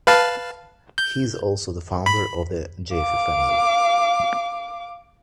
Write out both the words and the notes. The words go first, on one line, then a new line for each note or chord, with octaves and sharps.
He is also the founder of the Jaffe family.
B4 F5 A5
G6
B5
F5 D6